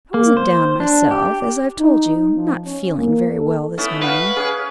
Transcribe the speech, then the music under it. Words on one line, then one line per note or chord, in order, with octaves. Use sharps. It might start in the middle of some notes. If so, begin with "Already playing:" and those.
I wasn't down myself--as I've told you, not feeling very well this morning.
A#3
C5
D4
G4
D#4
F3
C#4
A#3
A4
A3 B3 C#4 E4
B4 F5 F#5
C#4 G#4 G#5